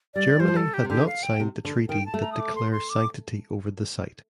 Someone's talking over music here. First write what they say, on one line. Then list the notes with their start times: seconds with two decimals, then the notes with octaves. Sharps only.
Germany had not signed the treaty that declares sanctity over the site.
0.14 G3 D5
0.40 G3 C5
0.48 F3
0.55 G3 A4
0.74 G4
0.84 C3
0.89 D3 G4
1.07 F5
1.23 G5
1.40 C3
1.65 D3
1.89 D#3 G5
2.06 A5
2.14 A3
2.22 A#5
2.32 D#6
2.39 D6
2.56 C6
2.72 C6
2.90 D6